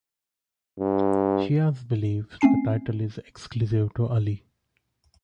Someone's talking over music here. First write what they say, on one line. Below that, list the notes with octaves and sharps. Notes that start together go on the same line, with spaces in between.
Shias believe the title is exclusive to Ali.
G2
A3 C4 C#4 G#5 C7